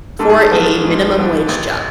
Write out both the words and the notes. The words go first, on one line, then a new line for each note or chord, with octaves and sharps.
For a minimum wage job.
G#2 A4
G#4
A4
F3 B3 A4
G#2
F3 B3
A1